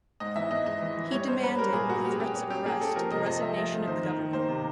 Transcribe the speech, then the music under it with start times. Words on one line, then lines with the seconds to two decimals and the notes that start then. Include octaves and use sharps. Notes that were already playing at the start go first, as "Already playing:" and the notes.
He demanded, with threats of arrest, the resignation of the government.
0.20 G#2 D#5
0.36 E3 E5
0.51 E3 D#5
0.66 G#3 D#5
0.82 E3
0.97 E3
1.12 G3 C#5
1.28 C#4 C5
1.43 A#3 B4
1.58 G3 A#4
1.73 A#2 G#4
1.89 A#3 F#4
2.05 A#3 G4
2.12 G#4
2.19 C#4 G4
2.35 C#4
2.50 C#4 G4
2.65 A#3 G#4
2.81 C#4 A4
2.96 F3 A#4
3.11 C3 D#5
3.26 F2 D#5
3.42 A3 E5
3.57 F2
3.73 A3
3.87 D#3 C5
4.03 D#3
4.19 D#3
4.33 A#3 C5
4.49 C3